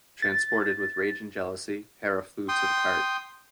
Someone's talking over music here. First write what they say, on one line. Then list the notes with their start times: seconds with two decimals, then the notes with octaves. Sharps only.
Transported with rage and jealousy, Hera flew to the cart.
0.22 A6
2.48 G5 C6 D#6